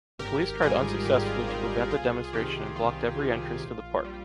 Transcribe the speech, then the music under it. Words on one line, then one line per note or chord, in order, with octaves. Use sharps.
The police tried unsuccessfully to prevent the demonstration and blocked every entrance to the park.
G#1 G4 A#4
G#2 G3 F4 G#4
G#1 G4
F4
G#2 G3 G4
C2 F4 G#4
G#4
C3 D#3 G4
C2 F4
C3 D#3
A#1
G3